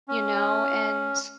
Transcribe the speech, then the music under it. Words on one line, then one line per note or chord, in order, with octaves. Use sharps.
you know, and
C#4